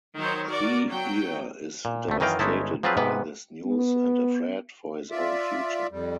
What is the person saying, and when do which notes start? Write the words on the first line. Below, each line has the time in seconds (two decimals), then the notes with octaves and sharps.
Tree-ear is devastated by this news and afraid for his own future.
0.18 D#3 F#3 C5 C#5
0.48 F#4 A#4 D5
0.89 F#3 F#4 G5
1.85 A#2
2.08 D2 A3
2.20 F#2 D#3 E3 D#5 F5 G5
2.39 G1 G#3 C#4 D#4 E4 A5
2.83 F3 F#3 C4 F4 G#4 B4
2.97 G#2 C3 B3 B4
3.65 B3
5.11 F4 D5 E5
5.91 F2 G3